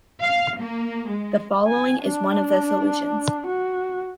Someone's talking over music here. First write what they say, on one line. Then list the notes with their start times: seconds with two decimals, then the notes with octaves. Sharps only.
The following is one of the solutions.
0.22 F5
0.60 A#3
1.10 G#3
1.67 G#5
2.03 D4
3.46 F#4